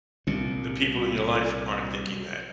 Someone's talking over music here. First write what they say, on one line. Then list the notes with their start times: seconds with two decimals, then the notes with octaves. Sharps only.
the people in your life aren't thinking that.
0.27 C2 A#2